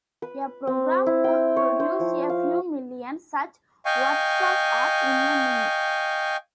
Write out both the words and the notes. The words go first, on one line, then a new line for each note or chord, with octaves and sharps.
A program could produce a few million such 'works of art' in a minute.
B4
C4
E4
G5
C#5
C5
F3
F5
D#5 F5 G5 G#5 C#6